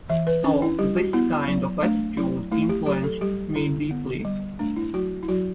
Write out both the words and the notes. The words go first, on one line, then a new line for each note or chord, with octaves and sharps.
So this kind of attitude influenced me deeply.
E3 E5
B4
C#4 D4
E4
G3 G4
F#4
B3 E4
F#3
A3 D4
F#3 E4
A3 E4
G4
F#3 G4
A4
G3 G4
D3 E4
B3
G3
A3 D4
E4
F#3 F#4
E4
F#3 F#4